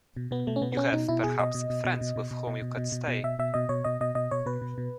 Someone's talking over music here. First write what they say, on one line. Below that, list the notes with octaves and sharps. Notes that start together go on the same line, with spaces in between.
You have, perhaps, friends with whom you could stay?
B2
B2 B3
B2 A3
C#4
B2 B3
B3
B2 C#4
B2 D#4
B2 E4
B2 G#4
B2 D#5
B2
B2
B2
B2
B2
B2
B2
B2
B2
B2
B2
B2 E5
B2 E5
B2 D#5
B2 C#5
B2 D#5
B2 D#5
B2 D#5
B2 C#5
B2 B4
B2
B2